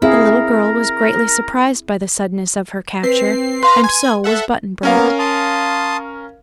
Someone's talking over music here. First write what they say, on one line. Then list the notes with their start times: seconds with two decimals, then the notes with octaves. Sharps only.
The little girl was greatly surprised by the suddenness of her capture, and so was Button-Bright.
0.02 C4 E4 G#4 A#4 F5
3.03 C4 B4 C7
3.63 B4 F5 A#5 C6
3.84 G#5 G#6
4.24 A4 E5 F#5
4.83 A#3 B3 C#4 A#4 F5
5.19 A5 C6 D#6